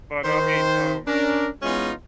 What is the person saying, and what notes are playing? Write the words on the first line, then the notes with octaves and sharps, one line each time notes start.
but, I mean, um
D#3 C5
C#4 D4 A#4
E3 G#3 B3 C#4 D#4 F4